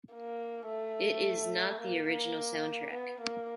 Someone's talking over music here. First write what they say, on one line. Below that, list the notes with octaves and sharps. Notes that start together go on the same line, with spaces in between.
It is not the original soundtrack.
A#3
A3
A#3
A#3
B3
A#3